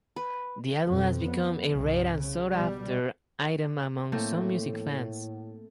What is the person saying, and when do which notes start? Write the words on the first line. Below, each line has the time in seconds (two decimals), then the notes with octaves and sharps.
The album has become a rare and sought-after item among some music fans.
0.16 B4
0.85 F2 B2
1.24 B3
1.73 C2 G2
2.15 C#3
2.50 B2 G3
4.12 A2 A3 A#3 C4